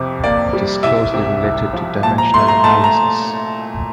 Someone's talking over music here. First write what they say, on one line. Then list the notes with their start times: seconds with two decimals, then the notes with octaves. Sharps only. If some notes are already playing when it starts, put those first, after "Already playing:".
It is closely related to dimensional analysis.
Already playing: F2 C3
0.24 A#3 D5
0.53 G3
0.83 C2 E5
1.14 C3
1.43 C2
1.73 F3
2.03 A#2 A5
2.18 A#5
2.34 A3 C6
2.48 A#5
2.64 A3 A5
2.84 A#5